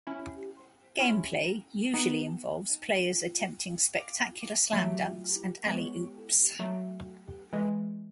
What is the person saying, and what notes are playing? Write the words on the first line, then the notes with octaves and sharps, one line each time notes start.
Gameplay usually involves players attempting spectacular slam dunks and alley oops.
C#4 E4
C#4 E4
B3 D#4
F#3 A3
G#3 B3
F#3 A3
E3 G#3